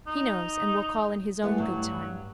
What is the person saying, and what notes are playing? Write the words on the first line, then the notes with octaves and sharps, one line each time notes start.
He knows and will call in His own good time.
D#4
E3 A3 B3
G2 F#3